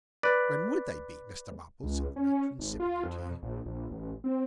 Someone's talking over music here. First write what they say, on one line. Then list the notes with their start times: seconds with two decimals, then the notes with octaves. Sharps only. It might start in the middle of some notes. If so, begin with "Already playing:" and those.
When would they be, Mr. Bumble?' said the matron, sipping her tea.
0.23 B4 D5
1.83 C#2
2.16 C#4
2.59 G#1
2.80 F4
3.04 F2
3.42 A#1
3.66 A#1
3.91 A1
4.24 C4